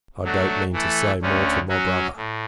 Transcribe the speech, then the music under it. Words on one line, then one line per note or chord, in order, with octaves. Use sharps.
I don't mean to say more to my Brother.
F#3 A3 D4 F#4
E3 A3 E4 A4
D2 D3 A3 C#4
F#3 C#4 F#4
A2